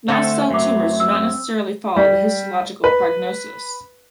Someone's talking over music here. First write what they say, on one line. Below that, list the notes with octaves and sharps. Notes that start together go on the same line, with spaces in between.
Mast cell tumors do not necessarily follow the histological prognosis.
D3 A3 C4 C#4 A4
F#2 F#3 A3 E5 D6
E6
G3
B4